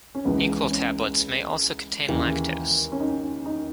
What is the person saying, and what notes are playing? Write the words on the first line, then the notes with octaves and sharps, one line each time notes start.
Equal tablets may also contain lactose.
C#4
C#2 C#3 E3 B3
C#4
D#2 C#3 E3
C#4
D#4
D#4